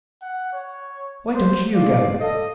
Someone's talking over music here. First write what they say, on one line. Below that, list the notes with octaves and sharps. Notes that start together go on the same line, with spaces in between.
Why don't you go?
F#5
C#5
C5
D5 F5
A4 D#5